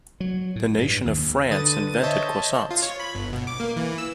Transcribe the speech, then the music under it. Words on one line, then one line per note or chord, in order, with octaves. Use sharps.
The nation of France invented croissants.
F#3
A2
G2
D#2
D3 B4 D#6 A6 D#7
C5 C#5 D#5 E5 A5 G6
F4
C#5
B5
G1
B2
D6
A#3
E3
E6